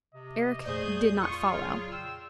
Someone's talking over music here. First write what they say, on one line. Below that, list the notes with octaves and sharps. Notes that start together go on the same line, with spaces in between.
Eric did not follow.
C3 D#5
F2 A#2 A3 G#4 C5 D5 D#6 G6
F4 C#6 D#6
C#3 F#3 G#4 F6
G5 E6